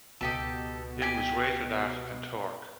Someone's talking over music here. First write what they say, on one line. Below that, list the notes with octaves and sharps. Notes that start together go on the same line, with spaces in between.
It was rated at and torque.
C#2 B2 D#4 G4 A4
G4 G#5